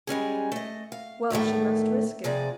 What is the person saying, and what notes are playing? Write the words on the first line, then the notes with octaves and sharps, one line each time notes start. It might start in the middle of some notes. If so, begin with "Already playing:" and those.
Well, she must risk it.
G3 G#3 C#4 G#4
A3 D#5
F5
E2 A2 D#3 A3
F2 C3 F3 G#4 D5